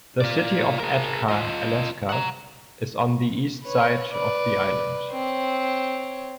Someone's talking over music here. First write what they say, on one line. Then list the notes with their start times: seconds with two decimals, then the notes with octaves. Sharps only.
The city of Atka, Alaska is on the east side of the island.
0.21 F4 D5
0.79 G#4 A#4
1.29 F4 D#5
2.09 F#5 A#5
3.63 B4 C#5
4.13 B4 D5
5.11 C4 C#5